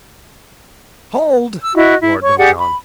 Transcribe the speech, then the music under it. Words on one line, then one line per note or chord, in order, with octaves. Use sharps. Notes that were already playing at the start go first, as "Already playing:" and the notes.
"Hold!" roared Little John.
E6
E4 F#4 D#5
E4
C#5 C#6
G4 G#4 D5 F#5
B5